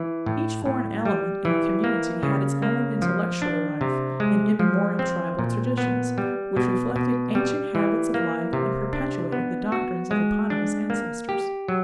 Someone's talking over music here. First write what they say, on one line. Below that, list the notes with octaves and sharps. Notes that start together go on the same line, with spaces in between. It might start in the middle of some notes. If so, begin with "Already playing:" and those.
Each foreign element in a community had its own intellectual life and immemorial tribal traditions, which reflected ancient habits of life and perpetuated the doctrines of eponymous ancestors.
Already playing: E3
A2
A2
G3
E3
A#3
C#3
A#3
F3
D4
C3
G#3
F3
C4
A#2
B3
G3
B2
B2
G3
E3
A#3
C3
D4
B3
F#4
G#3
D4
A#3
G4
F#3